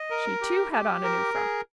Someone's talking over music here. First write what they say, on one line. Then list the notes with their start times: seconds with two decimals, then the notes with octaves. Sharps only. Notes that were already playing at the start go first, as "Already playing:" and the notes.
She, too, had on a new frock.
Already playing: D#5
0.10 A#4
0.41 G4
0.72 G4
1.03 A#4
1.34 G#4